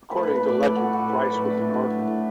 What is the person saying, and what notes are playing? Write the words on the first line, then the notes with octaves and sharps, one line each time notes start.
According to legend, Brice was an orphan.
A3 B4
A2 B4
B4
A2
D5
A2 A4
A3 F#4
A2 F#4
A2 B4
A3 D5
B4
A2 D4
A3 E4
A3
A2
A2